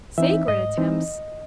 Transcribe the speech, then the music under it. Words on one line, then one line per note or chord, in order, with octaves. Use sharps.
Sacred attempts!
E3 C4 D#4 E5
G#2 D#5
E3 C4 D#4